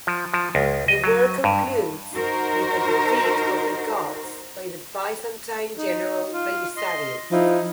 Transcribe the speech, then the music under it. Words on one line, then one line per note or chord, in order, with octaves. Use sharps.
The work concludes with the defeat of the Goths by the Byzantine general Belisarius.
F3
F3
C#2
D#5
F#3
G2
D#4 F#4 A#4 C5
D#4
F4
D#5 C6
F3 D#4 E4